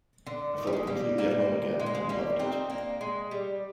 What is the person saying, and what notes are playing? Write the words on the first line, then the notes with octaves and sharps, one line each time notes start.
I felt completely at home again and loved it.
D3
D#3
G3
G#3
G3 A#3
G3 A#3
G#3
A#3
G#3
G3 A#3
C4 D#4
A#3 D4
G#3
G3